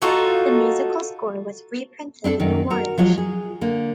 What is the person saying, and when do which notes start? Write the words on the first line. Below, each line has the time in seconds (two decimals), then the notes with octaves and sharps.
The musical score was reprinted in a war edition.
0.02 D#4 F4 F#4 A4
2.24 C4 D4 F4 A4
2.40 F#2 D#3
2.70 F#4 A#4
2.98 F3 F#3 G#3 F4
3.18 G#4
3.61 D3 A#3